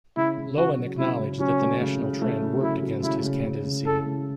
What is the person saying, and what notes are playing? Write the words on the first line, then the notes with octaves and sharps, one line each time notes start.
Loewen acknowledged that the national trend worked against his candidacy.
C#3 E4
C#3
F#3 F#4
F#3
C#3 E4
C#3
F#3 C#4
A3
C#3
C#3
A3
C#3
F#3 E4
F#3
C#3 E4
C#3
C#3
C#3
E4 A4
C#3